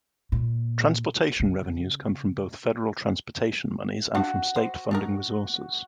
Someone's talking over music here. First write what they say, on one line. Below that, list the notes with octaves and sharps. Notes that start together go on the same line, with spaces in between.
Transportation revenues come from both federal transportation monies and from state funding resources.
A#2
C#3
D4 F#4 F5 F#5
C5
D4 D#4 A#4